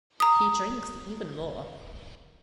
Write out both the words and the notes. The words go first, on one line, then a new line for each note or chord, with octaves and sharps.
He drinks even more.
A#5 D#6